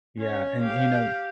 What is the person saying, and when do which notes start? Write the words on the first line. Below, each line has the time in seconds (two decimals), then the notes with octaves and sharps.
Yeah, and, y you know
0.19 C#4 C#5
0.61 G4 F5